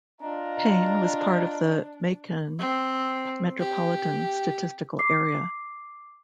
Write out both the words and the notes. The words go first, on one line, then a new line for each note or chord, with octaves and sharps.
Payne was part of the Macon Metropolitan Statistical Area.
D4 F4 D#5 A#5
C4
G4
D6 C7